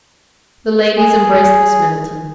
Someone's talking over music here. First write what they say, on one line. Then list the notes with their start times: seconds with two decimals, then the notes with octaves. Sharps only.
The ladies embraced Miss Middleton.
0.97 G#4